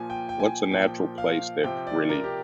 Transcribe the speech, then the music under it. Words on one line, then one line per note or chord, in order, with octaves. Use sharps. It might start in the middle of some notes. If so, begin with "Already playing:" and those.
What's a natural place that really
Already playing: A#2 F3 G#5
G5
G5
G#5
A#2 F3 G5
F5
C3 F3 G5
D5
A#4
G4